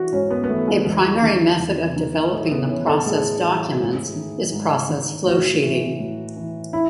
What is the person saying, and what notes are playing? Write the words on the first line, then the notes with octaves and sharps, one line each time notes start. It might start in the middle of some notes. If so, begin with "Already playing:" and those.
A primary method of developing the process documents is process flowsheeting.
Already playing: E3 F#4
G#2 C#4
B3
B3
E3 A3
G#3
E2 G#3
D#3
E2
D#3
A2 A3
B3
E3 C#4
A4
A2 G#4
E3
G#2
D#3
G#2
D#3
A2 F#4
E3
A2
E3
E4